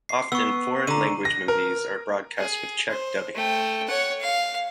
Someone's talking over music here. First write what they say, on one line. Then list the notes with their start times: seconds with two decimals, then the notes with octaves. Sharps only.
Often, foreign language movies are broadcast with Czech dubbing.
0.09 C7
0.32 B3 C#6 E6
0.87 D3 A#5 D#7
1.25 A#6
1.48 A#4
2.38 G#4
2.91 C5
3.34 A3 G5
3.88 C#5 F#5
4.21 F5